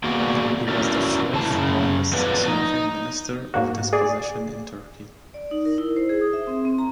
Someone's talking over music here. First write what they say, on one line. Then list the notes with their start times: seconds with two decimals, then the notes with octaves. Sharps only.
He was the fourth longest-serving minister of this position in Turkey.
0.04 A#3 B3 F#4 G#4 D5
0.68 C#4 E4 F#4 A#4 D5
1.34 C3 E3 E4 A5
1.50 F#2 C#3
2.13 F3 F#3 B3 B4 D5
2.47 D#4
3.54 G#2 A#3 F#4
3.93 G#4 D5
5.34 D5
5.51 D#4
5.65 A#4
5.78 E4
5.96 C5
6.09 G#4
6.21 D#6
6.33 E5
6.47 C4
6.65 C4
6.78 A#5